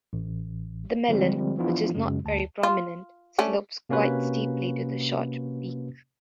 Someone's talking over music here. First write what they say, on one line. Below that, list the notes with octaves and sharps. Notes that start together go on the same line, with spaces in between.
The melon, which is not very prominent, slopes quite steeply to the short beak.
A1
D3 F3 G3 G#3 C4
E3 F3 B3 D4 E4 F4
F#2 C#3 F#3 G#3
D2 A5
F4
A3 C#4 D4
C3 A#3 C#4 F#4 B4